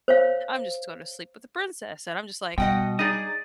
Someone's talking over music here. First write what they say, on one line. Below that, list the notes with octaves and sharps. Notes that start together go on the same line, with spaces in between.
"I'm just gonna sleep with the princess," and I'm just like,
C5 C#5 F5
B2 G3 D#5 F#5 G5
D#4 G#4 D5 D#5